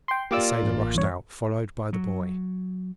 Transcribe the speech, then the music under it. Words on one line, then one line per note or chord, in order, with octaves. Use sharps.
The sailor rushed out, followed by the boy.
G5 C6
A#3 F4 G4 D5 D6 E6
A1
E2 G2 C#5
F#3